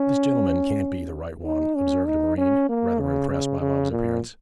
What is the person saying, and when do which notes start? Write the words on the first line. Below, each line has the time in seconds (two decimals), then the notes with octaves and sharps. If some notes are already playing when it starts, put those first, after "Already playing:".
'This gentleman can't be the right one,' observed a marine, rather impressed by Bob's appearance.
Already playing: C#4
1.45 D#4
1.76 C#4
2.07 D#4
2.38 C#4
2.69 A#3
3.00 C#3
3.30 C#3
3.61 C#3
3.91 A#2